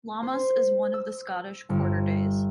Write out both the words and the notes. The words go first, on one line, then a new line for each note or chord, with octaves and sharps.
Lammas is one of the Scottish quarter days.
C5
E6
G1